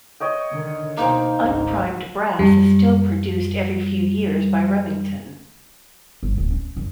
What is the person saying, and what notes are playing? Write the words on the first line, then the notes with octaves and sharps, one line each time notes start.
Unprimed brass is still produced every few years by Remington.
C#5 D#5 G5
D3 D#3
B1 A#3 D#4 C5 G5
G#1 C#2
F#2 G3
G1
D1
C#4
F#2